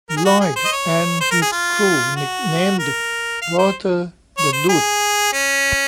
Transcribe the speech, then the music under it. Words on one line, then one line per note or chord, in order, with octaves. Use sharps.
Lloyd and his crew nicknamed Walter "The Dude".
A#4
G#4
F#4
G#4
C5
D#5
C#5
C5
A#4
G#4
F4
F#4
A#4
F5
C5
C#5
C5
G#4
C#4